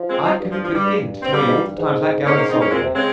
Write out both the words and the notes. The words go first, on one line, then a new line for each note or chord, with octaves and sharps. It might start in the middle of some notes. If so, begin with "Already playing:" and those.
I couldn't begin to tell you all the times that girl insulted me.
Already playing: F3
G#3 C4
C4 D#4
G2
F3
F3
G3
G2
C4
G2 G3 A#3
G#2
G2
G#2
G#2 A#3 C#4
A#3 C#4
C4 D#4
A#3 C#4
A#2 G#3 C4
C3
C#3 G#3 C4